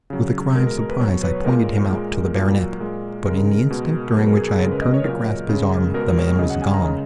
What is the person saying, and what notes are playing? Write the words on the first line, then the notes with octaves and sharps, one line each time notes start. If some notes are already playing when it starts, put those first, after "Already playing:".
With a cry of surprise I pointed him out to the baronet, but in the instant during which I had turned to grasp his arm the man was gone.
C#3 F#3
B2 G#3 A#4
A#4
A#4
B4
B2 F#3 C#5
B4
A#2 G#3 A#4
A#2 G#3
A#2 F#3
A#2 G#3
C#3 G#3 A#4
B2 G#3
B2 F#3 G#4
A#4
G#4
G#4
C#3 G#3 A#4
B4
D#5
C#5
A#2 F#3 A#4
C#3 G#3
B2 G#3 A#4
C#5
C#3 F#3 D#5
F#5
G#5
A#5
C#3 G#3